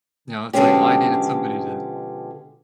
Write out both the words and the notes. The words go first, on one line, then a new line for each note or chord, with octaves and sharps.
you know, it's like, well, I needed somebody to
B2 D3 F3 G#3 C#4 G4